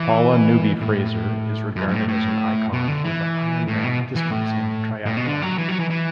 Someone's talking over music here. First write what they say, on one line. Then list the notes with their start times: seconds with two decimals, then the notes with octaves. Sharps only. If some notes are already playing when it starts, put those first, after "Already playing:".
Paula Newby-Fraser is regarded as an icon for the Ironman distance in triathlon.
Already playing: E3
0.81 A2
1.76 F#2
1.88 F#2
1.92 A2
2.08 A2
2.73 B2
2.88 D3
3.04 E3
3.68 A2
3.84 B2
4.16 E3
4.31 A2
5.06 A2
5.17 B2
5.26 D3
5.42 F#3
5.58 E3
5.69 F#3
5.80 E3
5.90 E3